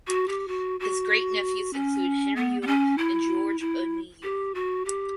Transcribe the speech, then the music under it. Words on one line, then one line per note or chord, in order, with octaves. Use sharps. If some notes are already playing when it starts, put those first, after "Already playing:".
His great nephews included Henry Yule and George Udny Yule.
F#4
G4
F#4
F#4
C#4
B3
B3
C#4
E4
E4
G4
F#4
G4